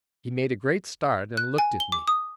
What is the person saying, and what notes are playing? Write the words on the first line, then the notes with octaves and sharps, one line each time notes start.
He made a great start and looked at me.
F#6
G#5
G7
D6
D#6